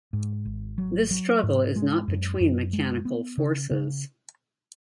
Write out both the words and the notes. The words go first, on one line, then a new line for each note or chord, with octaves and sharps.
This struggle is not between mechanical forces.
G#2
G#1
F#3
F#3
G#2
G#3
F#2
F#2
G#3
B3
C#3
C#3